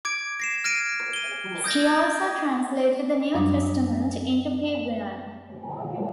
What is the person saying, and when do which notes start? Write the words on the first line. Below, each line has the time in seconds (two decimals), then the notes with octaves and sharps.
She also translated the New Testament into Peguan.
0.05 D6 G#6 D7
0.40 A#6 C7 E7
0.64 F6 G#6 A#6 D7 D#7
1.13 D#7 G7
1.64 D#6 G6 G#6 A#6
3.34 F#2 F#3 G3 D4 D#4